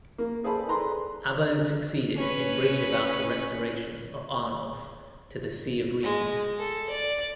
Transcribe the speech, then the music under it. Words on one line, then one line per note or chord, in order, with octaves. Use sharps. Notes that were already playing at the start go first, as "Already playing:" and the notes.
Abbo succeeded in bringing about the restoration of Arnulf to the see of Reims.
A#3
G#4 A4 C5 D5 A5 B5
A4 B4 D5 A#5 C6
C#4 B4
G#3
A4
D5